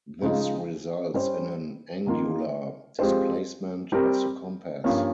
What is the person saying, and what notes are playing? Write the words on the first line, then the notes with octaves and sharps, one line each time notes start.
This results in an angular displacement of the compass.
C#3 F3 G#3 D#4
G3 C#4 G4 C5
D#3 A#3 F4
F3 G#3 C4 G4 C5
G3 C4 G4 A#4
G2 F3 A#3 C#4